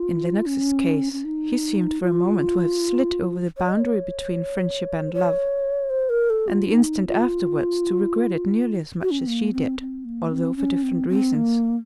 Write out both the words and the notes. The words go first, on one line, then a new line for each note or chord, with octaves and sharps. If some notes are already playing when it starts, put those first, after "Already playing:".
In Lennox's case, he seemed for a moment to have slid over the boundary between friendship and love; and the instant afterwards, to regret it nearly as much as she did, although for different reasons.
Already playing: F4
C#4
C#4
D#4
F4
C#5
D#5
C#5
C5
C#5
C5
A#4
A4
F4
D#4
F4
F#4
C#4
C4
A#3
C4
C4
A#3
C4
C#4
C4
C4
A#3